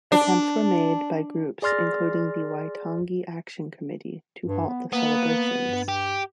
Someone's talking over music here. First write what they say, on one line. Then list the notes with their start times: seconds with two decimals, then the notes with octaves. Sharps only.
Attempts were made by groups including the Waitangi Action Committee to halt the celebrations.
0.12 D4
1.62 G#4 D5 C6 F6 A6 A#6
4.46 G2
4.68 B3
4.93 A#3 B3
5.64 G2
5.88 G4